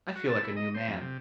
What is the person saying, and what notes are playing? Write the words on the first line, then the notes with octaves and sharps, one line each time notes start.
"I feel like a new man."
F#4
A5
E4
D#5
C5
F2
C3